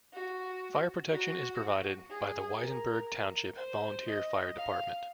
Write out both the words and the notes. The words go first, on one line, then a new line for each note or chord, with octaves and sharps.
Fire protection is provided by the Weisenberg Township Volunteer Fire Department.
F#4
F#4
G#4
A#4
C5
D#5
F5